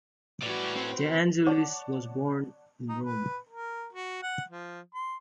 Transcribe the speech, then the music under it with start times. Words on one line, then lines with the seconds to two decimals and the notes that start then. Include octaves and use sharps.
De Angelis was born in Rome.
0.43 A2 G3 C#4 F#4 B4 D5
0.77 C4
1.46 C#5 D5 F#5 A5 D6
2.89 D#4
3.04 B4
3.48 A#4
3.93 F#4
4.23 F#5
4.50 F3
4.94 C6